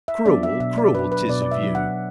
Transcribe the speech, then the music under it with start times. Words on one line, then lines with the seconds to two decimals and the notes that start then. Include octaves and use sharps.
"Cruel, cruel, 'tis of you!"
0.08 E5
0.26 F#3 B3 D4 D5
0.43 E5
0.60 B2 E5
0.77 D5
0.95 F#3 D4 B4
1.12 B4
1.29 B2 D5
1.42 D5
1.51 E5
1.63 F#3 D4
1.75 F#5